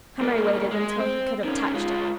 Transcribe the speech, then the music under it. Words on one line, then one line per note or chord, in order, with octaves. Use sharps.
Henry waited until he could have touched him.
B1 A#3
G#3
C4
D#3 C#4
G#3 F4